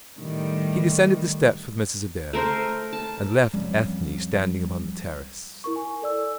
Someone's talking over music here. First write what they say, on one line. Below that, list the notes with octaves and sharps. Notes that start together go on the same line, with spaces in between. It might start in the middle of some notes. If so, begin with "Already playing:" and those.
He descended the steps with Mrs. Adair, and left Ethne standing upon the terrace.
A2 D#3 G3
A3 A#4 C5
A5
F2 G3 C#4
E4 A#4 C#6
G#5
A4 D5 E6